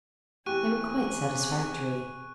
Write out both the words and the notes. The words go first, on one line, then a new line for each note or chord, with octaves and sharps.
They were quite satisfactory.
E2 C3 E4 G4 G#5 C#6 F#6 D#7